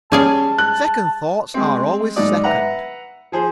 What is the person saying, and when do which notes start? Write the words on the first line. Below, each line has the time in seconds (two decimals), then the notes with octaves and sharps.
"Second thoughts are always second."
0.12 G3 C#4 G#4 F5 A5
0.58 F#6
1.54 G#3 C4
2.16 G#2 F#3 D#4 D5 D#6
2.44 B4 E5 F#5 A#5
3.32 F3 G#4 C5